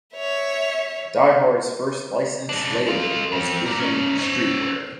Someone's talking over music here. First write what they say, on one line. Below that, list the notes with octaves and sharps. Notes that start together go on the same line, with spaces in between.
Die Hard's first licensed label was Vision Streetwear.
C#5 E5
G#3 D4
G#3 F4
F2 C4
A#4 D5
C#4 D#4
C#4 C5